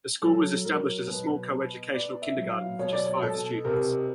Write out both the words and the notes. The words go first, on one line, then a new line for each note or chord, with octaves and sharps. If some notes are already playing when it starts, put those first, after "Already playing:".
The school was established as a small co-educational Kindergarten with just five students.
F#3 A4
F#3 A#4
B2 B4
B3
B3 D5
E5
F#3
F5
B2 C#5
D5
C#5
B2 A4
C3 A#4